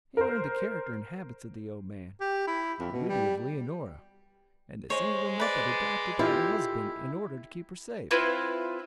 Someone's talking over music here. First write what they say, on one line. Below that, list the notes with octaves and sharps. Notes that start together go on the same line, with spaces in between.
He learned the character and habits of the old man, the beauty of Leonora, and the singular method adopted by her husband in order to keep her safe.
A#4 C5
G4
E4
F2
B2
G3
G#3 C5 C#5
B4 D5
E4 F4 G4 A4
C4 E4 F4 B4